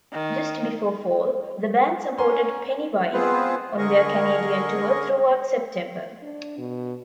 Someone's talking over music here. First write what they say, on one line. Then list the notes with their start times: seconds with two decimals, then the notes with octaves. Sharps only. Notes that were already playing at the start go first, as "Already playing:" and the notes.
Just before fall, the band supported Pennywise on their Canadian tour throughout September.
0.13 D#3
2.18 C#4 A#4 G#5 A#5 C6
3.13 B3 C4 F4 G#4 B4 C5
3.78 D3 G#4 A#4 D#5 C#6
6.22 D4
6.58 B2